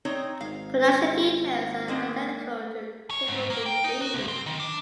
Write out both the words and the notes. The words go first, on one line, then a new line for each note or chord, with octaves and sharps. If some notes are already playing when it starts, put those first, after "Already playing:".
Production details are identical to "Camberwick Green".
C4 D#4 C#5
G#1 F5
G#3 A#3 C4
C#5
G#2
A#3
G5
D#4
F#4
C2
C4
D#3
D4